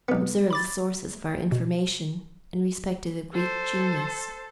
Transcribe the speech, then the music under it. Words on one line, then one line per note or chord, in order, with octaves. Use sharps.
Observe the sources of our information in respect to the Greek genius.
B1 B3
B5 D6 A6
B2
A4 C5